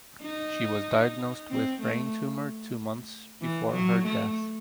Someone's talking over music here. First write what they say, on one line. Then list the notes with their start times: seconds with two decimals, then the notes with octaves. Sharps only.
She was diagnosed with brain tumor two months before her death.
0.22 D#4
1.51 C4
1.82 A3
3.42 E3
3.74 F#3
4.05 A3